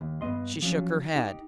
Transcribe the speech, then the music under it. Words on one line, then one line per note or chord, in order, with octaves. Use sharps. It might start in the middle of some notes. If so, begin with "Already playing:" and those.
She shook her head.
D#2
G2 D#3 B3 D#5 C6
F3 F#3 C#4
D#4 G4